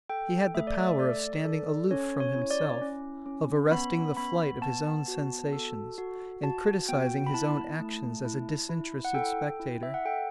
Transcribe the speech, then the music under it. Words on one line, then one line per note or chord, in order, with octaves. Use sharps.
He had the power of standing aloof from himself, of arresting the flight of his own sensations, and criticising his own actions as a disinterested spectator.
A4 G5
A3 E5
D5
E5
A4 D5
A4
C#4 C#5
C#5
E4
C#5
D5
C#4
C#4
B3 B5
B3 B5
B3 A5
F#4
A4
F#4
F#4 A5
B3 G5
B5
E4 A5
A3
E4
E4
F#5
A4 G5
E4
E5
F#5
A4 G5